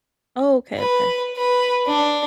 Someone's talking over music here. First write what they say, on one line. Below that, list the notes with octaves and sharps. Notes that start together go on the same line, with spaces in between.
Oh, okay, okay.
B4
B4
D4